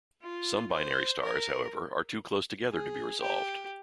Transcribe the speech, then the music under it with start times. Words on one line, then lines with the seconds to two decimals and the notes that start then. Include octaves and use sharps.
Some binary stars, however, are too close together to be resolved.
0.22 F4
0.72 C5
1.22 A#4
2.72 G#4
3.22 G4